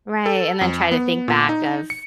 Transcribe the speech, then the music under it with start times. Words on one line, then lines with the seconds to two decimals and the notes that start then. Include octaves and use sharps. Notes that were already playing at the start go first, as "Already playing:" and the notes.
Right, and then try to think back of,
0.26 A4
0.61 F2
0.91 B3
1.28 A#2
1.49 D#4
1.90 C#7